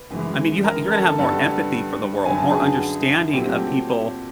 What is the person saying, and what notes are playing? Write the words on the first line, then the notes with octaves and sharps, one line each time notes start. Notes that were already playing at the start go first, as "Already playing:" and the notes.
I mean, you ha you're gonna have more empathy for the world, more understanding of people
Already playing: B4
F#2 C#3 E3 G#3
A#4 A#5
A4 A5
G2 D3 G3 B3 A4 A5
F#2 D3 F#3 B3 G#5
A5
G#4 G#5
A#2 F#3 A3 C4 G4 G5